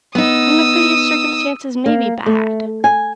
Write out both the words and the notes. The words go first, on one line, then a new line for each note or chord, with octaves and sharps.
I am afraid his circumstances may be bad.
B3 D#4 D#6 E6
A#3
A3
G#5